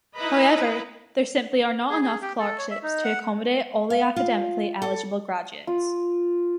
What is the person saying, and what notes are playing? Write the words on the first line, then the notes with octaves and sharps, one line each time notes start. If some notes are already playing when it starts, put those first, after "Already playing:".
However, there simply are not enough clerkships to accommodate all the academically eligible graduates.
D#4 E4 B4 D#5 A#5 B5
G#4
G#4
G4
A4
C#5
E5
D#4
F#5
F5
F4
A4
F4